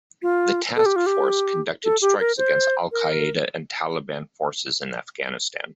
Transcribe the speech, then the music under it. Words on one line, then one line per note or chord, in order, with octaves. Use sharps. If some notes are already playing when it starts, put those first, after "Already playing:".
The Task Force conducted strikes against Al-Qaeda and Taliban forces in Afghanistan.
F4
A4
G4
F4
G4
A4
G4
A#4
C5
A#4